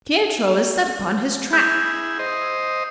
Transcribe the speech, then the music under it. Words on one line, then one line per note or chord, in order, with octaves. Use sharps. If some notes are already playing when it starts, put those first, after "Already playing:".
Pietro is set upon his track.
E4 G#4 G6
C5 D#5